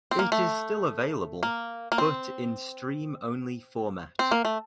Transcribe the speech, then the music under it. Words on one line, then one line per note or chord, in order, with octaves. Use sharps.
It is still available, but in stream-only format.
C4
A#3
A3
A#3
A#3
C4
C4
A#3
A3